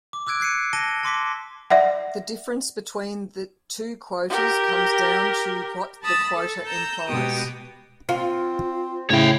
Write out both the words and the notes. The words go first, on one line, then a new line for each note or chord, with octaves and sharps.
The difference between the two quotas comes down to what the quota implies.
D6
D6 E6 F#6 G#6 D7
F#6 G#6 C7 C#7 D#7
A5 A#6 D#7 G7
A5 C6 D6 B6
D5 E5 F#5
G4 A#4
A5 B5 D#6 E6 A6
A4
A#5 E6 G6
B2 G#3 B3 G4 D#6
C4 F4
A2 C#3 E4 C#5 G5